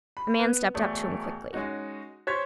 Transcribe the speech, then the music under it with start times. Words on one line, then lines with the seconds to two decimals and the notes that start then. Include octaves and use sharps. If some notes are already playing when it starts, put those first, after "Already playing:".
A man stepped up to him quickly.
0.17 B5
0.39 B3 B4
0.75 E1 A3 D5 D#6
1.53 G#3 C#4 D#4 F#4
2.27 C5 C#5 G#6 B6